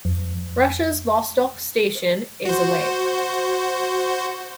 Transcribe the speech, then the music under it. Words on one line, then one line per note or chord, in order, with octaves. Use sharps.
Russia's Vostok Station is away.
F2
F#4 C5